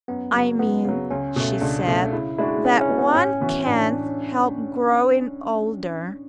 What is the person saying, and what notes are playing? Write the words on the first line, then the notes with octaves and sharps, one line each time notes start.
'I mean,' she said, 'that one can't help growing older.'
F#2 B3
C#3 F#3
F#2 B3
C#3 F#3
C#2 C#4
B2 A3
C#2 D4
B2 A3
C#3 E4
G#3 D4 E4 F#4
C#3 C#4
C#4
G#3 D4 F#4
B3
A2 C#4
E3 B3 F#4
A2 D4